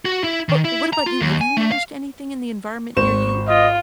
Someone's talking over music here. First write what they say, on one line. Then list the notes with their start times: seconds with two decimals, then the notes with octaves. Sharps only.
But what about you? Have you noticed anything in the environment near you?
0.05 F#4
0.24 E4
0.49 D#3
0.64 E4
0.93 A#5
1.06 F4
1.21 D#2
1.41 G#5
1.57 A3
1.72 F5
2.96 G#1 C5 C#6 E7
3.48 F4 D#5